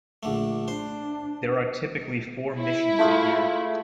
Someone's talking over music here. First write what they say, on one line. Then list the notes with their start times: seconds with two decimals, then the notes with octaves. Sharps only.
There are typically four missions a year.
0.23 A#1 D3 A3
0.68 D4 C5
2.58 E4
2.99 A3 F4 G#4